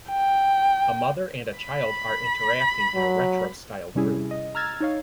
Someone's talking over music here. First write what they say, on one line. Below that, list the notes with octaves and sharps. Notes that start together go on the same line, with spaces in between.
A mother and a child are interacting in a retrostyled room.
G5
B5
F#3
C3 G3 C#4 E4 G#4
D#5
A#5 E6 F6 G#6 A6
D#4 C#5 F5